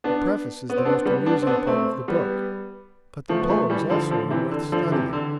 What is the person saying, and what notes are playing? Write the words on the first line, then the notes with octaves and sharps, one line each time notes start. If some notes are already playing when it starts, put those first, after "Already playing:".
The preface is the most amusing part of the book, but the poems also are worth studying.
B3 D4
B3
C4
B3 D4
G3 B3
B3 D4
C4
B3 D4
A3 C4
G3 B3
F3 A3
B3
F3 A3
E3 G3
D3 F3
D3 F3
C3 E3
D3
D3 F3
C3 E3
D3